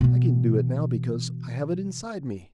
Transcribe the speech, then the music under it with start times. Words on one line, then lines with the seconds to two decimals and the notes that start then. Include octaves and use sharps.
I can do it now because I have it inside me.
0.01 B2 E3